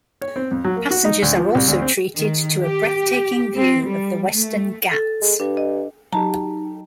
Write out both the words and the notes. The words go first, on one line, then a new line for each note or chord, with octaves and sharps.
Passengers are also treated to a breath-taking view of the Western Ghats.
C#5
C4
F2
F#3
A#3
F#4
D#4
D2
F3
C2
D2
C4
D#3
G4
C4
G3
A3
A4 A6
G#3
G2 D4
D#5
F#3 D#4 G4 A5 A#5